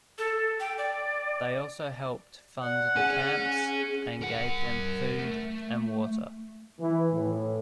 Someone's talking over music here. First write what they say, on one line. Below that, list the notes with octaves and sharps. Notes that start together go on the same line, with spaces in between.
They also helped fund the camps and gave them food and water.
A4
G5
D5
D5 F#5
C#4 G#4 G#5
A#4 F#5
A3
E3
A2